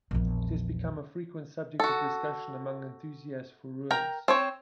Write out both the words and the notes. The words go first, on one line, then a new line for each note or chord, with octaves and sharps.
It has become a frequent subject of discussion among enthusiasts for ruins.
A#1 E2
F#4 A4
A#4 G5 A#5
C4 C5 C#5